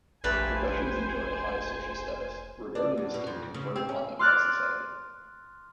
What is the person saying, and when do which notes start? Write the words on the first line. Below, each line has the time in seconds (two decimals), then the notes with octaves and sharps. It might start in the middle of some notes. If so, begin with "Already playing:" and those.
Professions enjoy a high social status, regard and esteem conferred upon them by society.
0.24 F1 A#1 G3 A3 B4 C5 G#5
2.75 D4
2.98 E2
3.14 B2
3.27 F2
3.54 C#3
3.76 C4
3.89 C#4
4.19 C6 D6 F6 F#6 A6